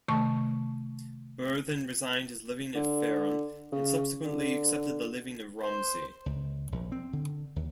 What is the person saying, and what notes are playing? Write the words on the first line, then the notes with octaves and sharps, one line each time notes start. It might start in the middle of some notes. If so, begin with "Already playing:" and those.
Berthon resigned his living at Fareham, and subsequently accepted the living of Romsey.
C3 D#3 A3 A5 C#6
D3
C#3
D3
C5
C#2
A#1
C4
D3
D#2